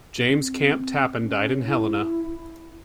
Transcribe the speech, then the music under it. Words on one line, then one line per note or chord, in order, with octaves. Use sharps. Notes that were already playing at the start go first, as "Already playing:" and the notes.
James Camp Tappan died in Helena.
C4
C#4
E4